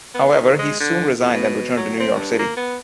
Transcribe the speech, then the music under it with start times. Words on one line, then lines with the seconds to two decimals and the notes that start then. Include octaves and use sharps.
However, he soon resigned and returned to New York City.
0.15 B3
0.32 D#3
0.59 G#3
0.80 D3
1.20 F2
1.33 B2
1.77 F#3
2.00 C4
2.15 G2
2.39 A#3
2.57 B3